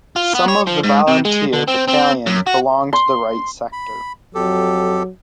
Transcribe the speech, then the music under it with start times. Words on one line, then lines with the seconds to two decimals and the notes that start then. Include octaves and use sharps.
Some of the volunteer battalions belong to Right Sector.
0.16 F4
0.35 B3
0.48 C#5
0.67 F3
0.84 G#2
1.08 C3
1.25 G#3
1.53 D3
1.68 C4
1.88 C4
2.26 F#2
2.46 F#4
2.93 C6
3.73 B5
4.35 F2 F#3 G4 A4